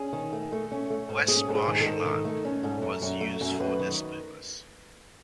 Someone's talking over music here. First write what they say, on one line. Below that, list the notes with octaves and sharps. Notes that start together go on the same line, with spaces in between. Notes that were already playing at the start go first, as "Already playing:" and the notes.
West Marsh land was used for this purpose.
Already playing: C#4 G#4
D#3
A3
A3
C#4
A3
G#2
C#4 G#4
G#2 A4
G#4
D#3
A4
G#2
D#3
A3
C#4
G#2
F#2
F#2
A3
F#2
F#2 B4
D#3